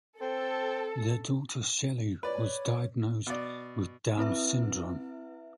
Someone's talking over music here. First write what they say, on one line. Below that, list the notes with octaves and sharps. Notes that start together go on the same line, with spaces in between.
Their daughter, Shelley, was diagnosed with Down syndrome.
C4 A4
B4 C#5 D5
B2 D5
C4 E4 B4 E5